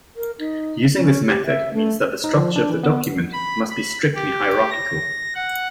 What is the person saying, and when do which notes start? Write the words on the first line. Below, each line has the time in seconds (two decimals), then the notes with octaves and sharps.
Using this method means that the structure of the document must be strictly hierarchical.
0.16 A#4
0.39 D#4
0.94 C#4
1.26 G4
1.46 E5
1.74 A3
2.24 D#4
2.36 F3
2.56 D4
2.70 E3
2.83 B3
3.33 B5
3.71 B5
4.15 G4
4.71 A#6
5.35 F#5